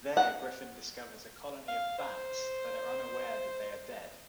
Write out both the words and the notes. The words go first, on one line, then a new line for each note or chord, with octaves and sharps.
There, Griffin discovers a colony of bats that are unaware that they are dead.
F#5
F5
C5